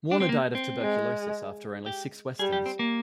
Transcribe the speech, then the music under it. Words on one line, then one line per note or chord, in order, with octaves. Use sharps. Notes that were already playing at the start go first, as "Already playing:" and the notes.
Warner died of tuberculosis after only six Westerns.
D4
C4
A#3
C4
G#3
G4
G3 G#4
G4
C4
A#3